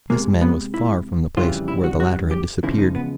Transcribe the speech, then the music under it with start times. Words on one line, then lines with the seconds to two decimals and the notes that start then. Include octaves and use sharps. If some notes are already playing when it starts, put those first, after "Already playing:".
This man was far from the place where the latter had disappeared.
0.10 C3 F3 G#3 A#3
0.41 B3
0.74 E4
1.37 F2 C#3 E3 G3 F4
1.68 E4
1.84 F#4
2.00 F#4
2.31 G4
2.63 E2 C#3 F3 G#3 E4
2.78 D#4
2.95 B3